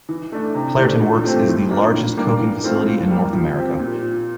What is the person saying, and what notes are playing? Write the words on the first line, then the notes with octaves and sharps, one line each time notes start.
Clairton Works is the largest coking facility in North America.
E3
A3 D4
C3
E3 A3 D4
A#2
A3 C4 G4
A2
F3 A#3 D4
A2
G3 A#3 D4
E3
A3 C4 F4
A2
G3 A#3
F3
C4 G4
A#2